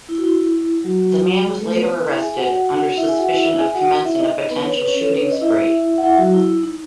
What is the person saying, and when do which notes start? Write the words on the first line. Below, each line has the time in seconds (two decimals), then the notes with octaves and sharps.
The man was later arrested under suspicion of commencing a potential shooting spree.
0.09 E4
0.18 F#4
0.24 E4
0.84 F#3 F#4
1.45 G#3 G#4
1.60 A3 A4
1.76 B3 B4
2.07 E4 E5
2.22 G#4 G#5
2.36 F#4 F#5
2.98 E4 E5
3.08 G#4 G#5
3.18 F#4 F#5
3.28 E4 E5
3.43 E4 E5
3.58 G#4 G#5
3.75 F#4 F#5
4.05 E4 E5
4.20 D#4 D#5
4.50 B3 B4
4.66 C#5
4.77 B4
4.88 C#4 C#5
5.01 A4
5.11 B4
5.21 C#5
5.32 D#5
5.42 E4 E5
5.98 F#5
6.02 E4 E5
6.18 F#3 F#4
6.34 E4
6.63 D#4